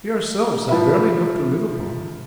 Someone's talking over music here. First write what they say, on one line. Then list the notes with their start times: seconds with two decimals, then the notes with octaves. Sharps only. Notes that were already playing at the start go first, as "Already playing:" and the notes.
We ourselves have barely enough to live upon.
0.69 F3 B4 E5